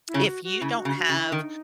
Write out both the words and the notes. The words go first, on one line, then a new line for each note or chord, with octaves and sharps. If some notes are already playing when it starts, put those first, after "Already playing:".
If you don't have
E4
C#3 C#4
F#4
F#4
C#3 E4
F#4
C#3
F#4
C#3
E4
D#3 D#4